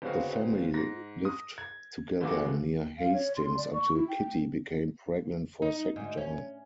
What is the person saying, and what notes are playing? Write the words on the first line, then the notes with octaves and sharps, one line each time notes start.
The family lived together near Hastings until Kittie became pregnant for a second time.
G1 C#3 G#3 C4 F#4 F5
G#2 A#6
D#6
G#6
A1 D#2 A3 F#4 G#4 D6
F5
C#5
C6
D5
C#6
E4
G5
D#4
D2 G#2
C#4